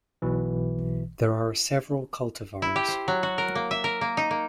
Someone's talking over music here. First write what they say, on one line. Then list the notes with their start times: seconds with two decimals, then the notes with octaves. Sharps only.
There are several cultivars.
0.22 B1 B2 E3
2.62 E4
2.76 G4
2.88 C5
3.08 F#3
3.23 F#4
3.38 A#4
3.55 A#3
3.71 E5
3.84 A#4
4.01 A#3
4.17 D#4
4.31 A#3